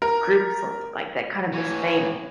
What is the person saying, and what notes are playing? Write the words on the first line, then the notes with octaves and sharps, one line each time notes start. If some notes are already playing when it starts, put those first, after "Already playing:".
groups, like, that kind of the same
A#4
E3 C#5